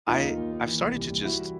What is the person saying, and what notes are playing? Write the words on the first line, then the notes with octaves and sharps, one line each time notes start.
I I've started to just
D#2 D#4 F4
D#2
D#2
D#2
E3
C2
C3
G3
G3 E4 F#4
E3